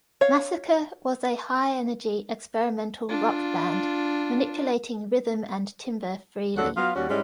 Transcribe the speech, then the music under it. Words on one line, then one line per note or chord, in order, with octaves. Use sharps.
Massacre was a high-energy experimental rock band, manipulating rhythm and timbre freely.
C#5 F5
D4 F4
D#2 D3 F#3 A4 F#5
F#3 B3 F4 F5
D#2 G3 C#4 F#4
G#2 G3 G#3 C#4 E4